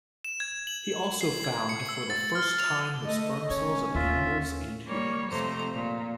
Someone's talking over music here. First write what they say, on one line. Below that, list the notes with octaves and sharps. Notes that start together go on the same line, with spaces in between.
He also found for the first time the sperm cells of animals and humans.
E7
G#6
F#7
C7
G#6
C#7
E6
A6
F6
F7
A3 D#5
G#3 C#4 C#5
D#2 F4 E5
G3 A#3 C#5
F2 C3 A3 C5 A#5
A#2